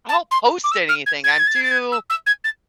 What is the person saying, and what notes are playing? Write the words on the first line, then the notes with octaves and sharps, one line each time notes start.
I don't post anything, I'm too
A5
C6
D6
E6
F6
G#6
G#6
A6
G#6
A6
G#6
A6
G#6
E6
E6
G#6
A6